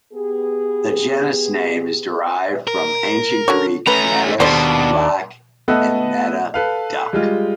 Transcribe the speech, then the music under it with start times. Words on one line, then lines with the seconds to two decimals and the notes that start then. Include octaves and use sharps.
The genus name is derived from Ancient Greek "melas", "black", and "netta", "duck".
0.13 B3 G4 G#4
2.67 A#4
3.48 D3 F#4 C#5
3.87 A3 C#4 B4 A#5
4.40 D#2 B2 G3 D4 A4 C5
5.68 A3 B3 A4 B4 D#5 E5
6.54 A4 B4 F5
7.13 G3 G#3 F4